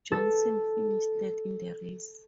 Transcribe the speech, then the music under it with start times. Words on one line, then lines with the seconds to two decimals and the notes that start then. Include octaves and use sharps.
Johnson finished third in the race.
0.12 A4